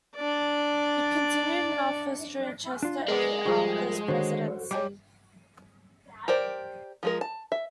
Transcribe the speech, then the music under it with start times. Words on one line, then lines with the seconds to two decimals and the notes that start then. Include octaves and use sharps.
He continued in office during Chester A. Arthur's presidency.
0.16 D4 D5
2.83 D4 F4
3.08 G#3 G#4 A#4 D5
3.45 F3 G3 G#4 C#6
4.08 D3 D#3 F#4 C5 C#5
4.71 G3 C#5 D#5 G5 G#5 D6
6.28 G4 A#4 C5 D5
7.03 F3 G#3 A#4
7.21 A5
7.52 E5